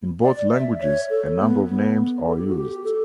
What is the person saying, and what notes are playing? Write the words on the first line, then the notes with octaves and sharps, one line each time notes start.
In both languages, a number of names are used.
D5
E5
C#5
A4
B3
B3
A4
G4
F#4
G4
A4